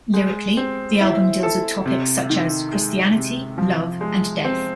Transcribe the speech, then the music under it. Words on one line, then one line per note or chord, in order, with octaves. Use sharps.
Lyrically, the album deals with topics such as Christianity, love and death.
G#3
C4
E4
A4
C3
D#3
G#3
C3
F3
G#3
C4